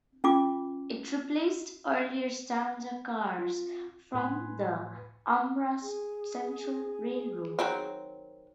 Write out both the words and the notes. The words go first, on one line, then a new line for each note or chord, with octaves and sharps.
It replaced earlier Stanga cars from the Umbra Central Railroad.
C#4 F4 D6
F4
A2 B4 G#5 C6
G#4
D#3 F#3 C4